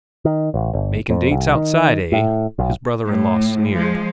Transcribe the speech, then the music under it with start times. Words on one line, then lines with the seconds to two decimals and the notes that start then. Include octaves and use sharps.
"Makin' dates outside, eh?" his brother-in-law sneered.
0.25 D#3
0.54 A1
0.73 G1
1.10 F2
1.31 C2
1.55 D#3
2.12 A2
2.59 B1
3.05 A2
3.74 F3 G#3